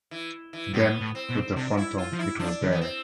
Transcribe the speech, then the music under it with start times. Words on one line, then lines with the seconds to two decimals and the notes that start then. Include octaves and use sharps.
Then with the Phantom, it was there!
0.11 E3
0.53 E3
0.73 G2 B3
1.01 A2
1.15 C4
1.30 B2
1.56 C3 D4
1.77 E4
1.98 F4
2.13 F3
2.19 E4
2.39 F3 D4
2.62 D3
2.68 E3
2.73 B3
2.81 C4